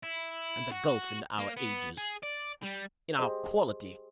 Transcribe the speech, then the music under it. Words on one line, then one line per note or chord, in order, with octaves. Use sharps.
And the gulf in our ages--in our quality!
E4
F#4
A#3
B3
G#4
D5
G3
G4 G#4 C5 D#5